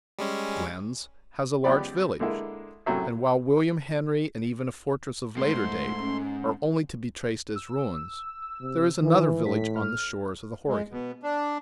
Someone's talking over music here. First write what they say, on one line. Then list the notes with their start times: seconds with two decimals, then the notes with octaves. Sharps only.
Glen's has a large village; and while William Henry, and even a fortress of later date, are only to be traced as ruins, there is another village on the shores of the Horican.
0.19 G3 G#3 C#4
1.64 C#2 B3 G4 D5 B5
2.20 D3 G#3 A#3 E4
2.86 F#2 A2 C3 F#3 E5
5.37 F2 G#2 A3 C6
5.99 C#4
7.56 E6
8.61 C3
9.02 D#3 E3
9.46 A2 B6
9.76 F6
10.68 G#3
10.92 B2
11.23 D4